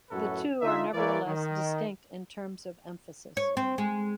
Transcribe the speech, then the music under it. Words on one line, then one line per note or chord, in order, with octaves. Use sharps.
The two are nevertheless distinct in terms of emphasis.
F#2 A2 F#4 A4 B4 C#5
D3 D#4 F4 E5
E3 A#3 A#4 C#5 D5
D#3
C#5
C4
G#3